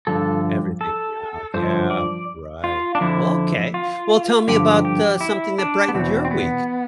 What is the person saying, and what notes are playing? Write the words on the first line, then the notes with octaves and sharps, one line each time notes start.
Everything, yeah, yeah, right. Well, okay. Well, tell me about, uh, something that brightened your week.
G2 D3 F3 A4
A4
G2 D3 F3 C5
D5
F4
D4
F2 D3 F3 E4
F4
G2 D3 F3 G4
G4
E4
D4
B3
E2 B2 C4
C4
B3